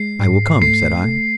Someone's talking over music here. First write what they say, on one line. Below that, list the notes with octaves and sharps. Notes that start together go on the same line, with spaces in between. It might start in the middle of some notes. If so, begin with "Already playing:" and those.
"I will come," said I.
Already playing: G#3 C7
G#2
A3 C7
A3